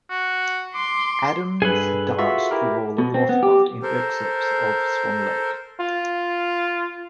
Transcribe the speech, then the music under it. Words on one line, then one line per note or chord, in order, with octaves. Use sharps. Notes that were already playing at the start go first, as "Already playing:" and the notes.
Adams danced the role of Rothbart in excerpts of Swan Lake.
F#4
C6 D6
G2 G#4 A4 B4
F4 F#4 E5
E4 G4 A#4
B2
C4
B3
G4
A4 A#4 C5
F4